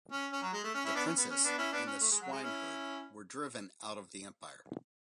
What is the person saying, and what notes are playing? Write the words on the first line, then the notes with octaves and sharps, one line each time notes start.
The princess and the swineherd were driven out of the empire.
C#4
C#4
F#3
G#3
A3
C#4
C#4 E4
B3 D4
C#4
B3
C#4
B3 D4
C#4 E4
B3 D4
C#4
A3
G#3
F#3
G#3
C#4 E4